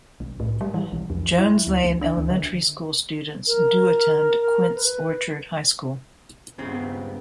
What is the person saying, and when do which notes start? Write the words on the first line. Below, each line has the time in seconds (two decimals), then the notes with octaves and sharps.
Jones Lane Elementary School students do attend Quince Orchard High School.
0.20 B1
0.40 A2
0.61 G3
0.74 E3
0.92 B1
1.10 F2
1.38 E4
1.67 D2
1.84 C#2
2.01 D4
2.17 D2
2.30 D3
3.47 A#4
4.75 B4
6.59 C#2 G2 C#3 B3 C4